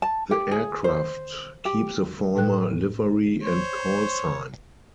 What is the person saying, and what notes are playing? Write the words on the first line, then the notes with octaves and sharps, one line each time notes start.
The aircraft keep the former livery and call sign.
A5
G4
G#4
C5
G4
A2 A4 B4 G5 F#6
C5 C#5